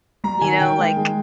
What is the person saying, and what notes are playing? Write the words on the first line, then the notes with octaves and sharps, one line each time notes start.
you know, like
G3 A#5
D#3 G#5
D#3 G5
G#3
G#3